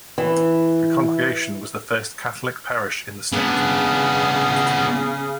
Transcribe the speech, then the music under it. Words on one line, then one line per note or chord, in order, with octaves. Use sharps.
The congregation was the first Catholic parish in the state.
E3
C#3 B3 D4